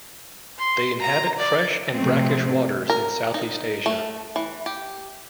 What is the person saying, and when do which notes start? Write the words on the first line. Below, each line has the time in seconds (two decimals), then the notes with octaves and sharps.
They inhabit fresh and brackish waters in Southeast Asia.
0.59 C6
1.01 A#5
1.38 D5
1.94 A2 C3 F3 A3 C4
2.90 A#4
3.34 D#4
3.86 A3
4.36 E3
4.66 G4